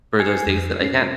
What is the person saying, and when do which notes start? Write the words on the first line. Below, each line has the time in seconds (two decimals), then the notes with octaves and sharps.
for those days that I can.
0.20 G#5 G6 G#6 C7 C#7
0.47 F2
0.81 C#4 C7